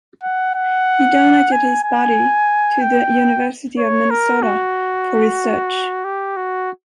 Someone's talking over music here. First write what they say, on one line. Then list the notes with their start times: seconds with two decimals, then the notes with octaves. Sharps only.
He donated his body to the University of Minnesota for research.
0.23 F#5
0.55 F#5
1.52 G#5
1.84 G#5
2.81 G5
3.78 C#5
4.11 A#4
4.42 F#4
6.04 G4
6.37 F#4